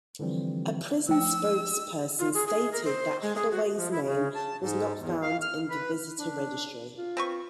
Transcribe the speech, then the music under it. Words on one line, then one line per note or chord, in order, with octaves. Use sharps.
A prison spokesperson stated that Holloway's name was not found in the visitor registry.
D3 E3 F3 G3 C4
F3 A3 C5 G5 E6
F4
G#4
G#4
A#4
C5
G#3
G#4
F#4
F3
E4
C#3
A5
G#2
E2
F5
F6
B4
D4
F4
C4 B4 C#6